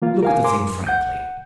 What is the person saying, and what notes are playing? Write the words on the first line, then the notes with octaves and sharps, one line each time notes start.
Look at the thing frankly.
E3 A#3 F4
A#4 F5 G#5
A#4 G#5 C6 D6
F#2
F#5 G6